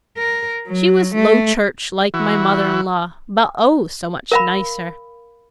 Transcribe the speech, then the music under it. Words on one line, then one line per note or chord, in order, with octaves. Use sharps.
She was Low Church, like my mother-in-law; but, oh, so much nicer!
A#4
F#3
A3
E3 E4 F#4
A#4 F5 B5